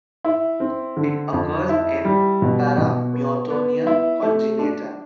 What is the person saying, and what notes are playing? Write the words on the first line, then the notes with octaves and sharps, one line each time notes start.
It occurs in paramyotonia congenita.
E4
C4
D3
F2
E4
G3
B2
B2
B3
B3
E4
A3
D4